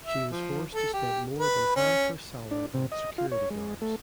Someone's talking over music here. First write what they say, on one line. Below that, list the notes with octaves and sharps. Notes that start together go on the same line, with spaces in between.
She was forced to spend more than half her salary on security guards.
E5
F3
A4
G4
B4
C#4
D4
C3
D#5
F4
C#5
G#3
A3